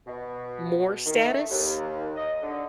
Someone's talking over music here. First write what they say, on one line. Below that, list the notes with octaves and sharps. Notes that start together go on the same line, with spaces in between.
more status.
B2
D#3
A3
D#2
D#5
D3